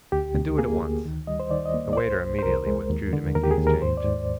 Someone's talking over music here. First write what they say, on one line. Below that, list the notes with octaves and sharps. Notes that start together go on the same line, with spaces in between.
'And do it at once.' The waiter immediately withdrew to make the exchange.
D2 G4
D2
A#3 G#4
D2
D#3
G3 D#5
C5
D#3 D5
D#5
A#3
D5
C2 C5
C2
C5
C2 A#4
G#3
D#2
D3
D#2 A#4
G4
G#4
D#2
A#4
G#2 C5
D5
G#2